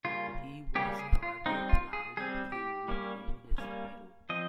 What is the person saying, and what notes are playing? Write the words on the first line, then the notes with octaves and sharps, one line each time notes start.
He was however allowed to retain his title.
C#3 G3 A#3 C#4 F4
C#3 G3 A#3 C#4 G4
G#4
F4
G3 C4 D#4
F4
G#4
G3 C4 G#4
G4
G3 A#3 C#4
G3 A#3 C#4
F3 C4 D#5